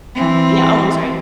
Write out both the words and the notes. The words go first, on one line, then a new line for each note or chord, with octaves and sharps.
Yeah Oh, I'm sorry.
E3 C4